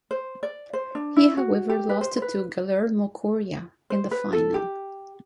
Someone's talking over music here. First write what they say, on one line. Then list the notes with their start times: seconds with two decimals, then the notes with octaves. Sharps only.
He however lost to Guillermo Coria in the final.
0.11 C5
0.43 D5
0.73 C5
0.95 D4
1.16 E4
1.37 F#4
1.70 G4
1.89 B4
2.01 C5
2.17 C5
2.22 B4
3.90 C5
4.11 B4
4.33 A4
4.54 G4